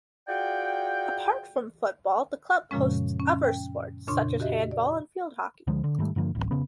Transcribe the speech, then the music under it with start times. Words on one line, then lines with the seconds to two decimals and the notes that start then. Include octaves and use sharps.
Apart from football, the club hosts other sports such as handball and field hockey.
0.29 F4 F#4 G#4 D5 G5
2.71 F#2 A#2 C#3 F3 G#3 C#4
3.20 C#4
3.44 G5
4.07 F2 A#2 C#3 D4 C6 C#6
4.40 F#4 G4 D#5 E5
4.71 D5
5.67 C#2 D3 F3 G#3
5.84 D3
5.98 G#2 D#3 G3 A3
6.16 G2 D3 F3 A#3
6.35 D1 A1
6.51 F1 C#3 B3